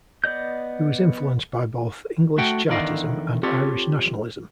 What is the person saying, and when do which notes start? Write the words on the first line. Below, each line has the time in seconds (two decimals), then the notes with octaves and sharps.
He was influenced by both English Chartism and Irish nationalism.
0.24 B3 D5 D#5 G6
2.37 A3 F#4 F#5 G5
2.68 E2 D3 D#3 D5 D#5 F5
3.43 C4 F4 G4 A4 C#5